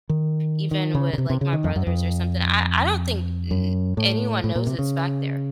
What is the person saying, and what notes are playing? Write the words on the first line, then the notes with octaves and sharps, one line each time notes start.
even with, like, my brothers or something, I I don't think n anyone knows it's back there.
D#3
D#3
C#3
C#3
C3
C3
C#3
D#3
F2
F#2
F2
F#2
A2
A2
A#2
C3
C#3